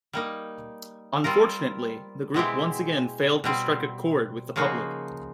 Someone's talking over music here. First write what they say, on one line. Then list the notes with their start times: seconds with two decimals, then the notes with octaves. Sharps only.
Unfortunately, the group once again failed to strike a chord with the public.
0.13 G3 A#3 D#4
1.24 G3 C4 F4 A#4
2.34 B2 G#3 C4 E4 G4
3.44 B2 G3 C4
4.56 C#3 F3 A#3 D#4 F#4